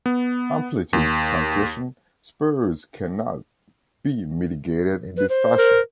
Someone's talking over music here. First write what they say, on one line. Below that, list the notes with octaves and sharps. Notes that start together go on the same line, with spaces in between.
Amplitude truncation spurs can not be mitigated in this fashion.
B3
D#2
B4
C5
A#4